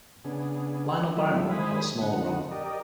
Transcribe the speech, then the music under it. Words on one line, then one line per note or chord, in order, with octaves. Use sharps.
Lionel Barrymore had a small role.
C#3 B3 D4 G#4
F#3 G3 A3 E4 F4 E5
D#3 G#3 C5 G#5 B5 D#6
D3 D#4 F#5
G4 A#4 D5 D#5